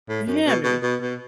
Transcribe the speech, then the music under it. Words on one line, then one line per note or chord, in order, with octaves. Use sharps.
Yeah, maybe.
A2
F#2
B2
B2
B2
B2